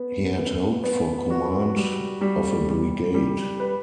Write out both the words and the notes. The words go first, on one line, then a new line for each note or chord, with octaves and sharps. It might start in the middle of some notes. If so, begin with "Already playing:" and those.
He had hoped for command of a brigade.
Already playing: B3
B3
B3
F#4
G3
G3
G3
G3
B4